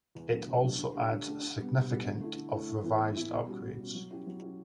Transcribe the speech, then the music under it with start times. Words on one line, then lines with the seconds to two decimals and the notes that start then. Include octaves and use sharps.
It also adds a significant of revised upgrades.
0.15 E2
0.31 B2 F#3 A3 D4
0.47 E2
0.63 B2 F#3 A3 D4
0.78 D3
0.94 A3 D4 G4
1.10 D3
1.25 A3 D4 G4
1.41 D3
1.57 G3 B3
1.73 D3
1.89 G3 B3
2.05 D3
2.20 A3 E4
2.37 D3
2.52 A3 E4
2.67 A2
2.84 E3 B3 E4
2.99 A2
3.15 E3 B3 E4
3.31 B2
3.47 G3 C#4 F#4
3.62 B2
3.78 G3 C#4 F#4
3.95 F#3
4.11 C#4 E4 G4
4.27 F#3
4.42 C#4 E4 G4